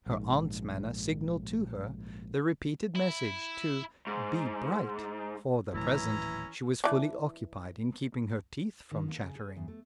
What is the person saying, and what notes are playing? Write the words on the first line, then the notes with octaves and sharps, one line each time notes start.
Her aunt's manner signalled to her the repeated message to "be bright"; for the present she was fully occupied in keeping her teeth from chattering.
A#1 G#2
E4
G#2
D#1 A2 E3 F#3 C#4 E4 A#5
E3 D4
D#3
A#3
C#3
G#4
E2
A3